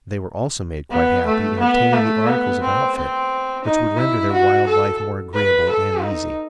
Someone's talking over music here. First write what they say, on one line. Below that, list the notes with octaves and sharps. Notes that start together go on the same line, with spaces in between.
They were also made quite happy in obtaining the articles of outfit which would render their wild life more agreeable and easy.
B3
A3
B3
A3
B3
C4
C4
D#4
E4
F#4
A4
B4
A4
D#4